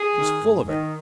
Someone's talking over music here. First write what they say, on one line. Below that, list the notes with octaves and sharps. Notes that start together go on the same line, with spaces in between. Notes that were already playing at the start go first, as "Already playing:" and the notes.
She's full of it.
Already playing: G#4
D#3
G#2
D#3